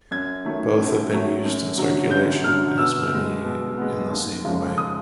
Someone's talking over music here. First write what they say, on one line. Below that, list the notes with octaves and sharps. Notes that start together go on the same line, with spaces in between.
Both have been used in circulation as money in the same way.
F#2 G#6
D#3 F#3 A3
F#2
D#3 F#3 A3
F#2
D3 F#3
F#2 G6
D3 F#3 F6
B2 E6
G#3 B3
B2
G#3 B3
D#2
C#3 F3 G#3
D#6